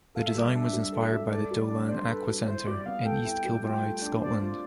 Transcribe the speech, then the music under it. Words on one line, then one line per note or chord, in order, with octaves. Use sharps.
The design was inspired by the Dollan Aqua Centre in East Kilbride, Scotland.
A4 F5
E5
G3 D5
D4 E5
G3
A4
G3
A4 D5
G3
D4
C5 D5
A4 B4
G3
E4 C5
G3 D5
B3 F5
A4 G5
E4
G3
F4
A3
D4
C5 D5
F4